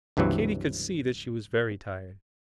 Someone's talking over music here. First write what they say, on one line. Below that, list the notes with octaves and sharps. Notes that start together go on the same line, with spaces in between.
Katy could see that she was very tired.
C#2 G2 C3 E3 F#3